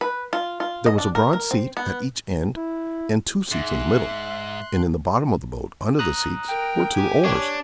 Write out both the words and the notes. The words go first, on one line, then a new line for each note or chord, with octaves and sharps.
There was a broad seat at each end and two seats in the middle, and in the bottom of the boat, under the seats, were two oars.
B4
F4
F4
D#5
D4
A#4
A#4
C4
B3
E4
G#2 E5 C6 F#6
A#5 D#6 F#6
A#4 G5
G4 G#5
D4 C#5